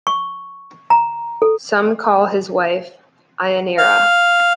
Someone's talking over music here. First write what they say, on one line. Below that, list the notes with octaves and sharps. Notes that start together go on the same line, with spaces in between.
Some call his wife Ianeira.
C#6
A#5
A4
F5